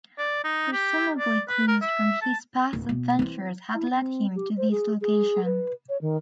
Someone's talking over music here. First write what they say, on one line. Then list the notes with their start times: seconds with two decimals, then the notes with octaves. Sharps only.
Presumably clues from his past adventures had led him to this location.
0.18 D5
0.44 D#4
0.73 G4
1.19 D5
1.49 B4
1.68 A#4
1.82 E5
2.22 A5
2.73 D1
2.89 B2
3.19 E3 C4
3.75 E4
3.94 C4
4.35 G4
4.57 C5
4.71 G#4
5.01 G#4
5.45 B4
5.89 C#5
6.01 D#3